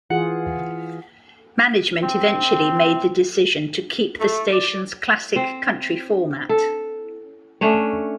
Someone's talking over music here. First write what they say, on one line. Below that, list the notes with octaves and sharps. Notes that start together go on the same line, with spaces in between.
Management eventually made the decision to keep the station's classic country format.
E3 F4 G#4 F#5
C4
A3
D5
C4
A4
A3 C#4 D4 C#5